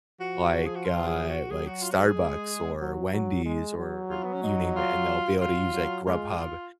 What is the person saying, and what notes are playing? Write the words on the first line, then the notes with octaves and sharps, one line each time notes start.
like, uh, like Starbucks or Wendy's or you name it, and they'll be able to use like Grubhub.
F3 F#4
G#4
F#4
F4
G#4
F#4
F#3 G#4
F#4
F4
F#4
G#4
G#3
F#3
F#3
G#3
F#3
F4
B3
C#4
D#4
F4
F#3 F4
F#3
G#3 F4
F4